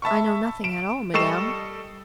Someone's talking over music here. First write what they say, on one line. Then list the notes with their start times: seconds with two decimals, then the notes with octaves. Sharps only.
"I know nothing at all, Madame."
0.02 E5 A5 B5 C#6
0.64 D7 E7
1.14 G3 A4 D#5 C#6 C7 E7